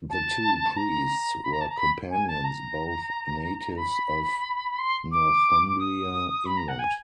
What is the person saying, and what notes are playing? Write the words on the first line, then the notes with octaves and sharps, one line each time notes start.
The two priests were companions, both natives of Northumbria, England.
A5
A#5
B5
A#5
A5
A#5
B5
G#5
A5
A#5
B5
C6
D6
D6
D#6
B5
A#5
F#5
G#5